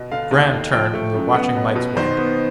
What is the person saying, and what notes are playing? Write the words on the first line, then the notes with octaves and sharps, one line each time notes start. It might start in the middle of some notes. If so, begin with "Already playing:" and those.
Graham turned, and the watching lights waned.
Already playing: B2
D3 F5
D#2
D3
F3 G5
A3
F#2
B3 F#5
B2
B2
D#3 C5
B3